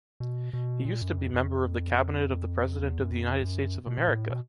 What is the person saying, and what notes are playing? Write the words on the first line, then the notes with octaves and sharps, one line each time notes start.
He used to be member of the Cabinet of the President of the United States of America.
B2
B2
A#2
F#2
F2
F2
E2
F#2
F2
F#2
B2
A#2
A2
B2